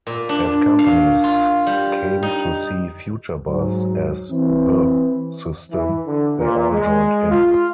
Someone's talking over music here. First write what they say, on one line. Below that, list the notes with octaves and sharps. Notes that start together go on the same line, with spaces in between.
As companies came to see Futurebus as "the" system, they all joined in.
A#2
D4
F5
F4
G3
D#4
G#2 F#3
E3 C4
E3
D3
A#2
G#3
F4